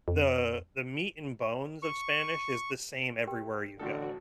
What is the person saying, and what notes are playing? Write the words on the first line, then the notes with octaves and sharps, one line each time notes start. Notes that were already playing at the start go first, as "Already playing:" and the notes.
the the meat and bones of Spanish is the same everywhere you go.
F2
C#6
G4 A#4 G5
A1 A2 D3 F#4 A4